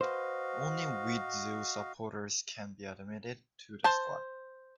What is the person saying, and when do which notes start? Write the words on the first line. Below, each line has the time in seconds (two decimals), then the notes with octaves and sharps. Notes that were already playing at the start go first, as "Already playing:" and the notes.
Only Widzew supporters can be admitted to the squad.
0.01 F#4 B4 C5 D#5 F5
3.84 C5 A5